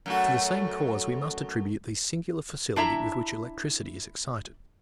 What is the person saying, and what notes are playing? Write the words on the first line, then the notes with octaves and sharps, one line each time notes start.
To the same cause we must attribute the singular facility with which electricity is excited.
F#2 A3 F#4
D4 E4 E5 A#5